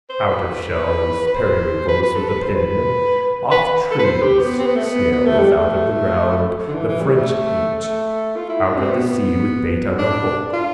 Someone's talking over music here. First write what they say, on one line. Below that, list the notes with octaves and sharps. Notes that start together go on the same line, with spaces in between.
Out of shells, periwinkles with a pin, off trees, snails out of the ground the French eat, out of the sea with bait on a hook.
C5
B4
B4
C5
B4
B4
A4
B4
C5
B4
B4
B4
A4
B4
C5
G4
B3
C4
B3
A3
B3
B3
A3
G3
A3
D3
E3
E3
G3
A3
A3
F4
E4
D4
C4
B3
D4
F4